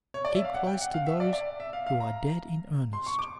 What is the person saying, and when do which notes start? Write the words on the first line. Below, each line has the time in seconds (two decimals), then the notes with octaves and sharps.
Keep close to those who are dead-in-earnest.
0.14 C#5
0.25 D5
0.35 E5
0.44 F5
0.54 F#5
0.67 G5
0.81 F#5
0.94 F5
1.07 E5
1.20 D5
1.33 D5
1.60 E5
1.73 F5
1.87 F5
2.00 A#5
2.93 C6
3.06 C#6
3.19 D6